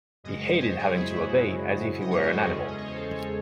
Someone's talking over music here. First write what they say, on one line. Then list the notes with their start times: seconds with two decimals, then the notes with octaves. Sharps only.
He hated having to obey as if he were an animal.
0.24 F#2 C#3 G#3 D#5
0.42 D#5
0.52 C5
0.59 C#5
0.78 G#4
0.96 E4
1.15 F#4
2.01 D#5
2.11 C#5
2.20 C5
2.32 A4
2.42 E2 C#3 G#3 C#4 G#4
2.68 D#5
2.77 C#5
2.87 C5
2.96 A4
3.15 C#5